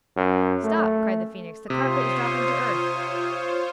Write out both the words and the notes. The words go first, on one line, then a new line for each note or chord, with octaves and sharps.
'Stop!' cried the Phoenix; 'the carpet is dropping to earth.'
F#2
A3
C3 F4 C5 C#5 C6 D#6